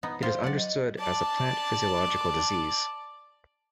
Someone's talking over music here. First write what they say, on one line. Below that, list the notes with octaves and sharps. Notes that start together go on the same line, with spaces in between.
It is understood as a plant physiological disease.
B3 D#4
F4 G4 C5
F#3 D5 F#5
D#5
D5 A5